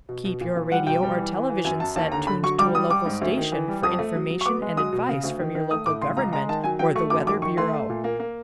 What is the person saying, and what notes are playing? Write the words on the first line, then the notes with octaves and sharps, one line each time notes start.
Keep your radio or television set tuned to a local station for information and advice from your local government or the Weather Bureau.
B2
B2
A#2
F3
G3 F#5
B2 G5
G3
E3
E3
E3
F#2 G#5
F#2 A5
D#2 A5
D3 A#5
D3 B5
F#3 C#6
G3 D6
G3 D#6
G3 D6
G#2
D2
D#3
E3
G3
F2 D#6
A3
F#3
F#3
C#6
B3 D6
G#3
F#3 D#6
B2
C#3
D2
D#3
D#3
A3 D#6
A2 D6
C#3 C6
C#2 A#5
G#3 A#5
D#3 A5
F#3 G#5
F#3 G5
A3 C#6
F#2 D6
D#3 D6
D#3 C#6
A3 C6
A3
A#2
A#3
A#3